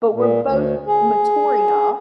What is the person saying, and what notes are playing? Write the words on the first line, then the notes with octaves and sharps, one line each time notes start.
but we're both mature enough
A#2
D2
G#4